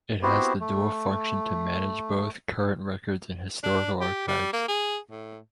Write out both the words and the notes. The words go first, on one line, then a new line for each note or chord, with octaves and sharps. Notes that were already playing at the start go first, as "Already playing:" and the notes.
It has the dual function to manage both current records and historical archives.
B3 C4 E4 F#4 G4 C5
A3
D4
G4
G3
A#3
G#4
A2